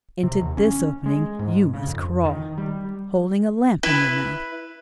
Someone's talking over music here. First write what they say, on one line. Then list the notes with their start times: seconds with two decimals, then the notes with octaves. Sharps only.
Into this opening you must crawl, holding a lamp in your mouth.
0.23 C3
0.41 D#2
0.57 C#4
1.06 G#3
1.39 G#2
1.74 C#3
1.87 F2
2.26 D#3
2.58 G3
3.83 E4 B4